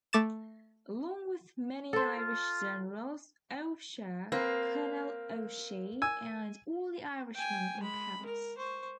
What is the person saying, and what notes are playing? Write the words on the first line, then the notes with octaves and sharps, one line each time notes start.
Along with many Irish generals, O'Cher, Colonel O'Shee, and all the Irishmen in Paris.
A3 D6 A6 E7
A4 C5
F4
A#3 C4 B4
G#5 E6
G5 G#5
G#3 B5
A#4
C5 C#6